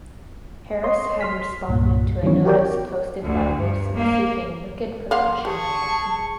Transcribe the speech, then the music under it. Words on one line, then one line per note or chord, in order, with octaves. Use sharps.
Harris had responded to a notice posted by Wilson seeking wicked percussion hands.
C#5 D#5 C6
C6 F6 B6
C2 G2 A#2
D#3 E3 F#3 B3 C#4 C#5
F#4 G4 A#4 C#5 D5 G5
D2
G2
A#3
A#3 F5 F#5 C6
G4 G#4 A5 C#6